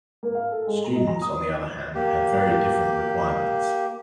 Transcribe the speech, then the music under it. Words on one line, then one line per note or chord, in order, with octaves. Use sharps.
Students, on the other hand, had very different requirements.
A#3
F5
A4
G#3
A#5
D#5
A#5
D#6
A#3 G4